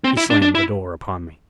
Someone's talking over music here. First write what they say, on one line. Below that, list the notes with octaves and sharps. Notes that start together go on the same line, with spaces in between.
He slammed the door upon me.
C4
E4
D4
D4
E4